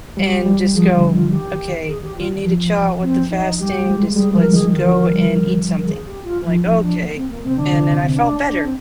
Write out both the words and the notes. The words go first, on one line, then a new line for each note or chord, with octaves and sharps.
and just go, "Okay, you need to chill out with the fasting, just let's go and eat something," I'm like, "Okay," and then I felt better.
G3 G4
G3
F3 G#4
D3
D#3 F4
G4
G#4
G4
F4
F3
C4
D#4
G3 G4
G3
G#3
G#3
G3 G#4
F3 A#4
D#3 G#4
D3 A#4
F3
D#3
G3
A#4
G#4
G4
F4
F3 F4
D#4
D4
A#3
C4
A#3
C3 C4
D3 D4
D3
C3
C3
C4
D4
D4
C4